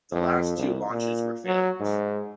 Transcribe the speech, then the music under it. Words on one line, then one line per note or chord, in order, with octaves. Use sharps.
The last two launches were failures.
F2
C2
A#2
F#3
G#2